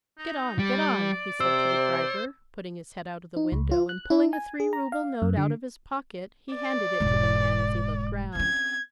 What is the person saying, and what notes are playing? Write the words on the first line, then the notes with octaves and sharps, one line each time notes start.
"Get on, get on!" he said to the driver, putting his head out of the window, and pulling a three-rouble note out of his pocket he handed it to the man as he looked round.
D#4
G3 D5
C3 C5 E6
D#4
C#2
F4
F#6
E4
G#5
G#4
A#5
F5
F#2
D3
D5
E1 G#2
C4 C#4 G#6